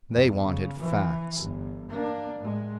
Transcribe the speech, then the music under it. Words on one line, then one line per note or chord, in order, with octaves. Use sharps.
They wanted facts.
E2 G2
C#3
E3
G1
A#3 D4
A2 G#3